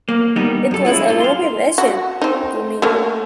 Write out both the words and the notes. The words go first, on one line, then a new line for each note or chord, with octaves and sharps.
It was a revelation to me.
A#3
G3 B3 D#4 A#4
F#2 A4
G#3 C#4 E4 F4
G#2 F4 A4
F5 C6
F#4
C4 D#4
A3 A#3